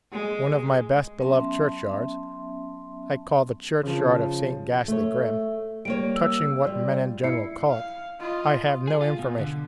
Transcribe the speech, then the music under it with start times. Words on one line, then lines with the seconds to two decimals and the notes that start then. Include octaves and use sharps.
One of my best beloved churchyards, I call the churchyard of Saint Ghastly Grim; touching what men in general call it, I have no information.
0.12 G#3
1.20 F#3 B3 C#4 E5 A5 C6
3.83 C#3 F3
4.88 A3 C#5
5.85 G3 A#3 C#5 D7
6.16 E6
6.65 G3 F4 D5
7.24 E4 C7 C#7
7.70 F5
8.20 F4 D#5
8.87 G#4
9.01 F4
9.19 B2
9.39 D3